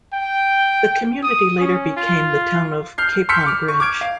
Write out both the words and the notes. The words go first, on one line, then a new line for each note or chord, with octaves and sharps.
The community later became the town of Capon Bridge.
G5
D#6
C#4
F4
F6 G6 C7
C6 E6 F6 G6 B6 C#7
D6 F6
C#6
D6 F6 G#6 D7
F5